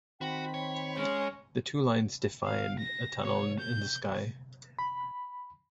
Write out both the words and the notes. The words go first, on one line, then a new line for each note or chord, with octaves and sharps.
The two lines define a "tunnel in the sky".
D#3 C4 F#4 G5 B5
C#5
G#3 C#4
F5
A#6
C#5
G6
B5